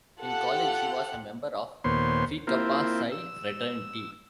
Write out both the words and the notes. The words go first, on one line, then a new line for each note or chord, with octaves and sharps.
In college, he was a member of Phi Kappa Psi Fraternity.
F4 G4 A4 F#5
D#2 A#2 B3 C5 C#5 C6
A#3 C4 E4 F4
E6